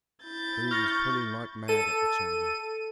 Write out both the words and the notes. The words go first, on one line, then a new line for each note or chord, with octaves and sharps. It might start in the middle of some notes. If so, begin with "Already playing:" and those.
True was pulling like mad at the chain.
E4 G6 A6
C#6 F6 A#6
A4 D#7